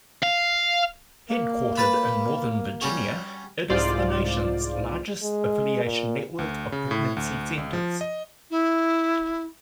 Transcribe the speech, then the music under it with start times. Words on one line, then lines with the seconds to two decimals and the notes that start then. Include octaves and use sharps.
Headquartered in Northern Virginia, it is the nation's largest affiliation network of pregnancy centers.
0.23 F5
1.30 A#3
1.77 B4 A5 B5
2.81 G3 C#4 F#4
3.70 C2 G#2 F4 C5 D5
5.23 G#3
5.84 A#2
6.39 D2
6.72 C#3
6.91 A2
7.17 D2
7.58 C#2
7.73 F3
8.01 D#5
8.51 E4